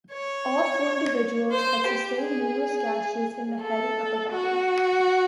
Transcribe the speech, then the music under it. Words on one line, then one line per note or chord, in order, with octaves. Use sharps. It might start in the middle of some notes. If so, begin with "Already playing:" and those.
All four individuals had sustained numerous gashes in the head and upper body.
C#5
C5
G4
G#4
A4
F#4